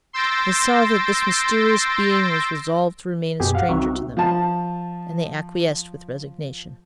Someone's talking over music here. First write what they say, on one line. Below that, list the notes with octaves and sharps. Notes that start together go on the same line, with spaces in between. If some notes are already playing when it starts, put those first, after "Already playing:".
They saw that this mysterious being was resolved to remain a stranger to them, and they acquiesced with resignation.
C6 E6 G6 A6 A#6 D7
F#2 B2 G4 G#4
F5 F#5
C2 C4 D#4 F#4 E5
F3 A5